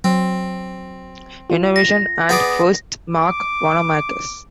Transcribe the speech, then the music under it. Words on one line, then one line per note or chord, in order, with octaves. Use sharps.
Innovation and "firsts" marked Wanamaker's.
F#3 C4
F4
A#6
B3 G#4 D5
D6